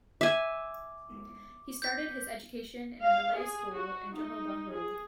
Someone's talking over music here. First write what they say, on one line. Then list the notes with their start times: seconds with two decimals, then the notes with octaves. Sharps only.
He started his education in a Malay school in Johor Bahru.
0.21 E5 G#5 D6
1.82 G6 B6
3.00 F5
3.35 G#4
3.73 F#4
4.15 D#4
4.70 G#4